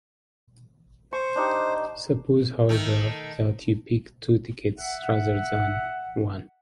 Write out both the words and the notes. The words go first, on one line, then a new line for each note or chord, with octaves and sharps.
Suppose, however, that you pick "two" tickets rather than "one".
C5 C#6
D4 D#4 G4
D#3 A3
E5 F#5